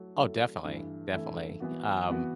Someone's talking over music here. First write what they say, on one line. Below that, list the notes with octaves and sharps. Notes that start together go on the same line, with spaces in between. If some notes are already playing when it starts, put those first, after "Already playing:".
Oh, definitely, definitely. Y um,
Already playing: F#3 A3 E4 A4
F#3 A3 E4 A4
G2 E3 A3 E4
G2 E3 A3 E4
E3 B3 F#4
E3 B3 F#4